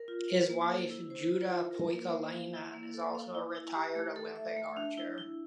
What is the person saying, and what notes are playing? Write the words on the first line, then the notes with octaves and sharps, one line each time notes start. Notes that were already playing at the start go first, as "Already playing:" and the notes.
His wife Jutta Poikolainen is also a retired Olympic archer.
Already playing: A#4
F4
C5
A#3
A4
E4
C5
F4
F4
A#4
A#3
C5
F5
E4
A#3
A4
F5
E4
E4
G4
A3
A4
E5
A3
D4
E4
E4